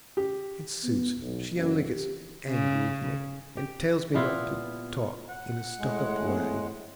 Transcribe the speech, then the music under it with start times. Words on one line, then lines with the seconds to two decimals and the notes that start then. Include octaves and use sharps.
And Susan, she only gets angry with me, and tells me not to talk in a stuck-up way.
0.17 G4
0.84 B3
1.21 B1
1.55 F#1
1.92 G4
2.49 C#3
3.57 G4
4.14 A#2 B3 E4 F4
5.30 F#5
5.80 A2 G#3
6.28 A#3 C4